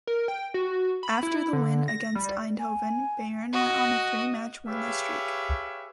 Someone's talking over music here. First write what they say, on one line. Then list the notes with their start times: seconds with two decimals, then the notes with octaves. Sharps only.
After the win against Eindhoven, Bayern went on a three match winless streak.
0.07 A#4
0.28 G5
0.54 F#4
1.03 B5
1.23 E4
1.53 D3
1.88 A#6
2.15 G3
2.59 G#5
3.53 F#4 D#5
4.66 G4 G#4 B4 C#5 E5 F5